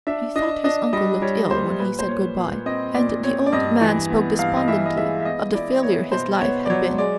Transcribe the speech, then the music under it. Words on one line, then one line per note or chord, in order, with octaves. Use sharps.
He thought his uncle looked ill when he said good-by, and the old man spoke despondently of the failure his life had been.
D4 E5
D4 D#5
D4 D#5
G3 D#5
G3 C#5
A#3 C5
A#2 B4
C5
A#2 C#5
A#2
C4 D#5
A#2 D5
C4 C#5
D5
G2 D#5
E3
B3
G2 F5
D#5
E3 E5
D#5
G#3 E5
E5
B3 D#5
E4 D5
B3 C#5
B2 C5
B3 C#5
D5
F#3 C#5
G#3 D5